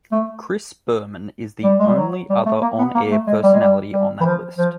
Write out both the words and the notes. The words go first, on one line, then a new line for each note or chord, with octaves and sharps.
Chris Berman is the only other on-air personality on that list.
A3
G3
G#3
G3
F#3
G3
A3
A#3
B3
A#3
A3
G#3
G3
G#3
G3
G3
E3
F3
F3